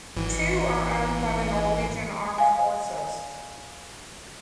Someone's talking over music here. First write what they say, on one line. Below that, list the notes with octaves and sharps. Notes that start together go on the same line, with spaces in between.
Two are owned by the Norwegian Armed Forces.
G#1 E3
F5 G#5